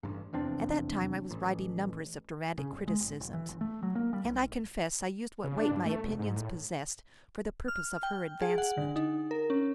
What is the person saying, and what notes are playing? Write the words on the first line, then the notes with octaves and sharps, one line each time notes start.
At that time I was writing numbers of dramatic criticisms, and I confess I used what weight my opinions possessed for the purpose of her advancement.
A1 G2
F1 E2 C4 D4
A1
C#3
G1
G#3
G#1
F#1
E3
G1
A3
F#3
A#3
G3
B1
C#3
D4
G2
A3
F1
G#2
A2
F6
G5
G#4
F#5
D3
D#4
A#4
C#4